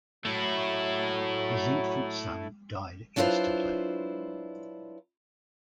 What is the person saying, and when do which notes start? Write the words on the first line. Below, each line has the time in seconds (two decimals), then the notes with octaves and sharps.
His infant son died instantly.
0.25 F#3 A3 E4
3.16 F#3 D4 E4 F4 B4 C5